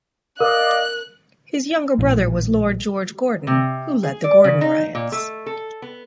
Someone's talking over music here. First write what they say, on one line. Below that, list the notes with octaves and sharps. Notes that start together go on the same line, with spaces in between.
His younger brother was Lord George Gordon who led the Gordon Riots.
A#4 D5 D#5 F5 F#6
A#1 A2
C3
G#4
D5
C#3
D#4
A#2
A3
A4
B3